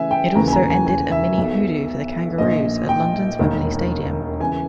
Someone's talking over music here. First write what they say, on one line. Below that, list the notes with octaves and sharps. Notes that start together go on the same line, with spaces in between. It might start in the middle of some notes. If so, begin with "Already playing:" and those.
It also ended a mini-hoodoo for the Kangaroos at London's Wembley Stadium.
Already playing: C#3 E3 E5 G#5
G5
E1 D#2 C#3 E3 A#5
G#5
A#5
G#5
G#5
E5
B1 B2
A#1 A#2 D#5
G5
E1 D#2 D#3
C#3 E3 G#5